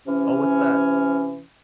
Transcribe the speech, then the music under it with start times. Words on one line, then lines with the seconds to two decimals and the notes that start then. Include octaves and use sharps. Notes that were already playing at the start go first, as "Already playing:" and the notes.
Oh, what's that?
0.07 C3 E3 C#4